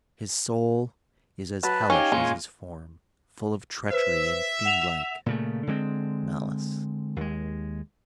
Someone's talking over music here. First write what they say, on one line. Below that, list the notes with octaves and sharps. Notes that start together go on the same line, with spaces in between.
His soul is as hellish as his form, full of treachery and fiend-like malice.
F#3 B4 A5
C#4 D#4 G4 C#5 F5 G#5
A#2 C#3 G#3 F4
B4 C5 E5
F#5 E7 F7
A#2 C#3 A3
D3 G#3 A#3 C4
D#2 G#3